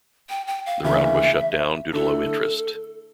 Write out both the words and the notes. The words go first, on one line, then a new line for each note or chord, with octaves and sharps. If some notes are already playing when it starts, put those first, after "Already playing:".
The route was shut down due to low interest.
G5
G5
F5
D2 C#3 E3 A#3 E5
D3 A3 E4 A4